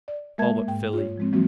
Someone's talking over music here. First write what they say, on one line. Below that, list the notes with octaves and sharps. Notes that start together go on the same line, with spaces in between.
All but Philly.
D5
G#3 A#3 A#4 E5 A5 G#6
G#2 G5
F4 C#5
F3 G#3 C4
E3 F#3 G#3 A#3 C4 F#4